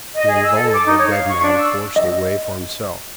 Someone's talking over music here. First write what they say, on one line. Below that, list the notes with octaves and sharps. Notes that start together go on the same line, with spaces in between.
The invulnerable dead man forced a way for himself.
D#5
G#4
E6
A4
D6
D#4
C#5
F5
C#6
D4
E6
D#5